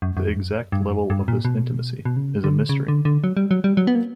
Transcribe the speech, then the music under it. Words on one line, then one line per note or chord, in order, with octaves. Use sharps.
The exact level of this intimacy is a mystery.
F#2
F#2
E2
G2
F#2
G2
F#2
G2
A#2
B2
B2
C#3
D3
C#3
D3
D3
F#3
G3
F#3
G3
F#3
B3
A#3